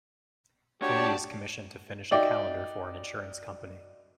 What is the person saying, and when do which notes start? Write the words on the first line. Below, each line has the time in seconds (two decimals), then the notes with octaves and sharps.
Chloe is commissioned to finish a calendar for an insurance company.
0.82 D4 F#4 G4 C#5 D5 A5
2.11 D#4 F#4 D5 E5 G5